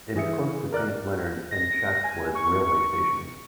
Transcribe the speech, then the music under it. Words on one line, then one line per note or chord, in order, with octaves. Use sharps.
It is close to Saint Leonards and Chatswood railway stations.
E3 G#4 E5 C#7
A#4 D5 F6 F#6
A#6
G#5
C#6